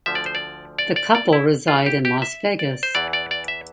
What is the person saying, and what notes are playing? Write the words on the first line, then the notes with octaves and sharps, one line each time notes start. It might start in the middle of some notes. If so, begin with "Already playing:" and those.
The couple reside in Las Vegas.
D2 D3 F3 E5
D5
C5
D5
D5
D5
D5
E4
F4
G4
G4
E5
D5
C5
E2 E3 D5
D5
D5
E5